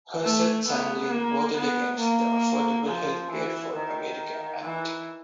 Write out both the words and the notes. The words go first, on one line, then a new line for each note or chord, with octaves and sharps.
Herseth Sandlin voted against the Affordable Health Care for America Act.
A3
B3
A#3
B3
A#3
F3
E3
D#3
E3